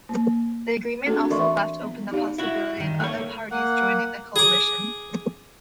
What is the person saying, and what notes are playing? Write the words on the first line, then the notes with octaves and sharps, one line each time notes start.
The agreement also left open the possibility of other parties joining the coalition.
A#3
A3 C4 D4 F#4 G#4 A4
E3 A#4 D5 E5 C6 C#6
B3
D#4 G4 D5 F5
E4 F#4
G2 D#3
A3 A#3 C#5
A#3 F#5
G#4 D6